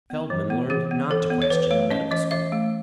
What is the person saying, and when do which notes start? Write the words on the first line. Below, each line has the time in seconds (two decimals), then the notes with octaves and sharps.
Feldman learned not to question in medical school.
0.10 B3
0.30 E3
0.50 B3
0.70 E3 G#4
0.91 B3
1.10 E3 A4
1.31 B3
1.42 C#5
1.50 E3 B4
1.71 A3 C#5
1.91 C#4 D#5
2.11 E3 D#5
2.31 E3 E5
2.52 A3